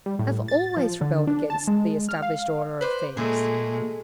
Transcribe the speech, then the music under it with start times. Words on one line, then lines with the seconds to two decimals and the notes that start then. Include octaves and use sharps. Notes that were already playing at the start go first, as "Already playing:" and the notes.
I've ALWAYS rebelled against the established order of things.'
0.06 G3
0.19 A2
0.48 A6
0.77 F3
1.01 D3
1.27 D4
1.50 A5
1.68 G#3
2.09 F6
2.22 F5
2.81 B4 C5 D5
3.17 A#2 G#3 A3 G#4